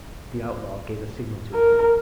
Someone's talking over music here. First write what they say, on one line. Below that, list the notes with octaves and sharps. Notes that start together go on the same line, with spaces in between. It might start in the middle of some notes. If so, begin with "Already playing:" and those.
The outlaw gave a signal to his men.
A#4